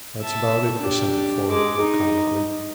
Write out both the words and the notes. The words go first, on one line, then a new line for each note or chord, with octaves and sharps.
"That's about it," assented Folliot laconically.
E5 A5
D4 G4
G#3 D6
D#4